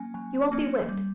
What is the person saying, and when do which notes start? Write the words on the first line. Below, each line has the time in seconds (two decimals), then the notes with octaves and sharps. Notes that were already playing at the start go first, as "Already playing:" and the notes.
You won't be whipped.
Already playing: F#3 A#3 C#4 G#5
0.14 F#3 G#5
0.52 A#3 C#4
0.89 G3